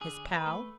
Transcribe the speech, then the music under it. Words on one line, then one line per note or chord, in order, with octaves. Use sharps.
His pal?
D3 G#4
E2
B4
A3